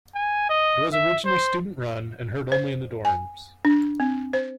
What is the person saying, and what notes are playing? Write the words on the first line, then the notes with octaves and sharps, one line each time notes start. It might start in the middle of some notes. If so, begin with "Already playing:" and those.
It was originally student-run and heard only in the dorms.
G#5
D#5
E5
C5
C5
G#5
D4
C4
C5